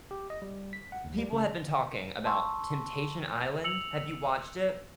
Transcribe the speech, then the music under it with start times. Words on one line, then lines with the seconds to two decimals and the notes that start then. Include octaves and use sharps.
people have been talking about Temptation Island, have you watched it?
0.11 G4
0.30 D#5
0.42 G3
0.73 B6
0.92 F#5
1.04 D#2
1.19 G3
1.32 C#3
2.25 A5 C6 C#6 E6
3.64 E6 C#7 F7 F#7